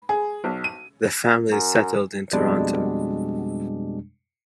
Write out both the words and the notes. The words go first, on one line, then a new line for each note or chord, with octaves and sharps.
The family settled in Toronto.
G#4
B1
D#7
F#2
F2 B2 G3 G#3 D4